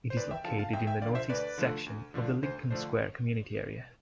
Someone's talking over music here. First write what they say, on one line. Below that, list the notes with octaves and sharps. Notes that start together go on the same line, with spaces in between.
It is located in the north east section of the Lincoln Square community area.
C5
E2 B4 D5
E5 G5
D3 F3 F5 A5
F5 A5
E2 E5 G5
E5 G5
D3 F3 D5 F5
C5 E5
D2 B4 D5
D3 F3 A3 D4
D2
D3 F3 A3 D4
D2 C5
D3 F3 A3 D4 C5